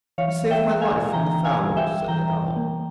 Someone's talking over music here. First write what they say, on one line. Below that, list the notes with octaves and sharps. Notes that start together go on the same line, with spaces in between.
"You saved my life from the fowlers," said the owl.
E3 C#5 F5
E5 G5
A#3
F5 G#5
E3 G5 A#5
F5 G#5
G3
E5 G5
E3 G5 A#5
A#3